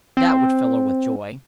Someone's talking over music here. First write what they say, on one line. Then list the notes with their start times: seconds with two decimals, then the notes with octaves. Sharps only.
"That would fill her with joy."
0.17 C4